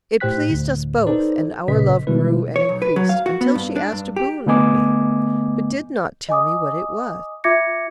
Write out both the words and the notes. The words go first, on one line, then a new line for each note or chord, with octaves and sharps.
It pleased us both, and our love grew and increased, until she asked a boon of me, but did not tell me what it was.
A2 G4 C5 G5 F#6 B6
D2 A2 D3
D#4 A4 B4 C5 D5
G1 A#2 C#3 B4 D#5 B6
B2 D#3 G3 G#3 E4 B4
C#5
B1
B4
F#3
F5
F#4
B3
G2
D4
G2
G4
D3 A3 B3 D#5 G#5 D6
D#5 G#5 D6 D#6
F4 E5 D6 G#6 A#6 C#7